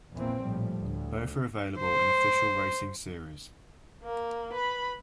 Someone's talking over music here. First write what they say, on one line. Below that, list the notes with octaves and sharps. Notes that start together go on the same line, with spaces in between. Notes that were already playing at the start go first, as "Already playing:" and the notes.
Both are available in official racing series.
A#1 E2 E3 A#3 C4
A#1 A2 F3 G3
D2 A2
C5
A#3
B4 B5